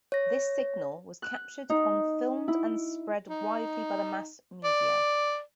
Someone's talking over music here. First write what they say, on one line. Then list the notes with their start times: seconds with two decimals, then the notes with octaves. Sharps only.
This signal was captured on filmed and spread widely by the mass media.
0.12 C#5 A#6
1.22 F#6
1.70 D#4
2.48 E4
3.29 D#4
4.64 D5